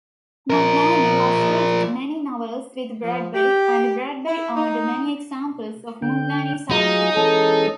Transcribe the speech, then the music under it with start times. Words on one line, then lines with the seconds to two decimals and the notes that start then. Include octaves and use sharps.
Mugnaini illustrated many novels with Bradbury, and Bradbury owned many examples of Mugnaini's artwork.
0.50 F3 A#4
3.02 F3
3.35 G4
4.27 E4
4.56 D#4
6.02 D3 G5
6.71 F#3 D#4 F4 G#4
7.17 E3 G#3 C#4 A4